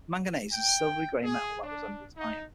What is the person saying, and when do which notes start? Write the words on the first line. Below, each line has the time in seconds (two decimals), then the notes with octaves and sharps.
Manganese is a silvery-gray metal that resembles iron.
0.51 G5
1.23 G#4
1.62 D4
2.16 D#4